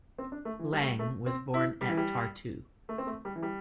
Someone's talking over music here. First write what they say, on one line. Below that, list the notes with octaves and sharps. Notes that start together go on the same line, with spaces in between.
Lang was born at Tartu.
C4
D4
A3
E3
G3
A3
G3
A3
C4
E4
G3
E3
G3
A3
C4
A3
G3
E3
G3